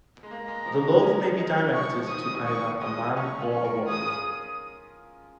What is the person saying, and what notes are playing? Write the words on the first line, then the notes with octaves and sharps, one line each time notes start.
The love may be directed to either a man or a woman.
G#3
A#3 A#5
G#3
F3
G#3
C#4
D#4
D#4
C#4
F3 C#6
F3
D#3 D#6
D#3
F3 C#6
G#3 D#6
C#4 C#6
F4
C#6
A#4
G#4 D#6